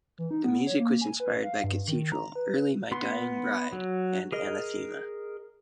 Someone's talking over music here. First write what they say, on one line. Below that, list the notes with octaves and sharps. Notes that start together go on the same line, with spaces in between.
The music was inspired by Cathedral, early My Dying Bride and Anathema.
E3
D#4
B3
C#5
A#3
G#5
B4
F5
G2
D#3
A#5
B4
B3 C6
F#3
G#4 A#4 D#5